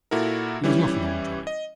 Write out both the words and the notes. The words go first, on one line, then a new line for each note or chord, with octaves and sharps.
It was not a long drive.
A#2 E4 F#4 A4 A#4
E3 G3 C#4 E4
D#5